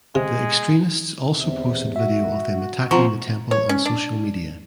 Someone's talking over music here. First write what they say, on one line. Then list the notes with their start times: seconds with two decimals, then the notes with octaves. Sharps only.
The extremists also posted video of them attacking the temple on social media.
0.15 C3 G#3
1.33 E2 C3
1.96 F#4 E5
2.91 F3 C4 F4 F#5 A#5 C#6
3.51 C#5
3.69 C#4
3.86 D4